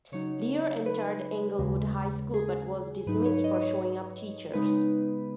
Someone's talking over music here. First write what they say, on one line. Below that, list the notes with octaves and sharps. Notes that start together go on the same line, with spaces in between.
Lear entered Englewood High School but was dismissed for showing up teachers.
C#3 F#3 D#4 C#5
B4
D#2 C#3 G#3
G#4
G#2 F#3 D#4 B4
C#5
D#5
C#5
C#3 G#3 B3 D#4 B4